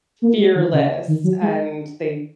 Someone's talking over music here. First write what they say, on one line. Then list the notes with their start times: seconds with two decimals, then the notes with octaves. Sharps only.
fearless, and they
0.22 A#3
0.38 G#3
0.56 D#3
0.73 C#3
1.08 D#3
1.24 F#3
1.41 G#3